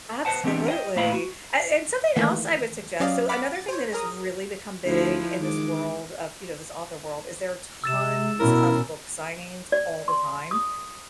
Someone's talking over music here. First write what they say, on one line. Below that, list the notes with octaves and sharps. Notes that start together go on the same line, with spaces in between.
absolutely. A And something else I would suggest, so another thing that has really become big in this world of, you know, this author world is there are tons of book signings all the time,
B4 C5 F#5 A5
E3 B3 C4 D4 G4
D#5 G5
A2 A#3 E4 F5 B5
F#4
D#3 E3 A3 A#3
F#3 C#4 G4 D5 D#5 F5
F#5 B5 D6 F6 B6
A6
C5 C#5
G#4 A#4 A#5 D#6
D2 F3 E4
D#3 G#3 D6
C3 E6 A6 E7
B2 C#4 E4 A#4
D5
C6
D#6